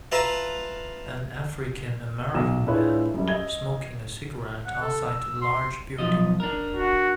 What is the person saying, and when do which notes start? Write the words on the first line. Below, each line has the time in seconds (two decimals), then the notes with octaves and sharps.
An African American man smoking a cigarette outside a large building.
0.12 F4 B4 E5 A5 A#5
2.34 B1 E7
2.66 D4 E4 F4 G#4 B4 C#5
3.14 F#2 G3
3.28 D#5 G#6 G7
4.66 F#5
4.81 A4
5.07 E6
5.42 C6
5.98 B1 F3 D#5
6.40 D4 A#4
6.76 F#4